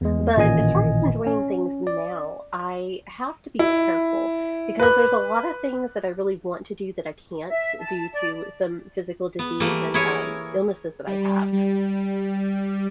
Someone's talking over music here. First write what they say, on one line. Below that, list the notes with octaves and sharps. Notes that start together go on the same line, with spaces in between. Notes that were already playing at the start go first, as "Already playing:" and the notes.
but as far as enjoying things now, I have to be careful because there's a lotta things that I really want to do that I can't due to some physical disease and, um, illnesses that I have.
E2 G#3
A1 A#2 D#3 D#5 G#5
C#4
D5
E4
B4 F#6
E5
A5
D5
B3
E3 G3 A3 A#3
E4 G#4 A#4 C#5
G3
G3